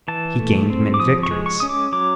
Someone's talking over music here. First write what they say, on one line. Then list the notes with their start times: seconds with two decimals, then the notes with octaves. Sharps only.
He gained many victories.
0.08 E3 A5
0.39 A3
0.70 C4
0.94 D6
1.00 F3 D#6
1.23 C#6
1.31 G#3
1.46 C#6
1.60 C#4 D#6
1.69 D6
1.92 F#3 D6